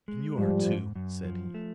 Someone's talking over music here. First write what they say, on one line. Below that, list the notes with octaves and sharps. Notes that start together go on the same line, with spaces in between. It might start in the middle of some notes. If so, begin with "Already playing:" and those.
"And you are, too," said he.
G#3
G#2 F3 G3
G#2
F#2
F3
A3